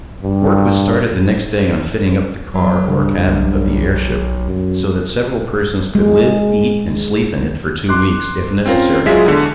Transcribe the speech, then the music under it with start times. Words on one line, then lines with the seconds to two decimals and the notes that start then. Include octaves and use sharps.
Work was started the next day on fitting up the car, or cabin, of the airship, so that several persons could live, eat and sleep in it for two weeks, if necessary.
0.23 G2
2.54 F#3
2.88 G2 C#3
3.28 B1
4.47 F#2
5.95 G#3
7.89 C6 D6 F#6
8.66 C4 C#4 F4 A#4
9.06 F#3 G#3 F4 G#4 E5 B6
9.25 E2 D3